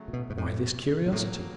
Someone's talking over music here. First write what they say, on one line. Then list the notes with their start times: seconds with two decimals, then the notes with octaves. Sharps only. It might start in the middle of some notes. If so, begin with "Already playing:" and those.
Why this curiosity?
Already playing: C#3 F#3 A3
0.08 A#2
0.13 B2
0.30 G#2
0.38 A2
1.06 A#2
1.12 F2 A2 C#3 F#3 A#3